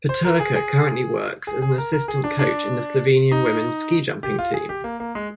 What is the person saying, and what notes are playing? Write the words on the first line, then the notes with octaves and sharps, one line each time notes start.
Peterka currently works as an assistant coach in the Slovenian women's ski jumping team.
C5
A#4
G#4
G#4
G#4
G#4
A#4
A#4
G#4
D4
D4
D#4
G4
F4
G#4
G4
A#3
A#3
G#3